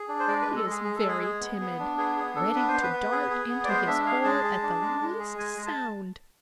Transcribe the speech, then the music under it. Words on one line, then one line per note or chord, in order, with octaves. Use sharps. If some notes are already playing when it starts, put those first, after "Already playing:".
He is very timid, ready to dart into his hole at the least sound.
Already playing: G#4
D4
C5
G#3 D5
B4
G#3
A4
G#3 G#4
G#4
A4
G#3 G#4
G#4
B3
B3
D4
B3 G#4
G#4
D4 A4
B3 B4
C5
B3
B4
B3
G#4
G#4
B3
D5
G#3 C5
D4 E5
G#4 F5
G#3 A5
G#4
D4
G#3
G#3
G#4
G#3 G#5
G#3
A5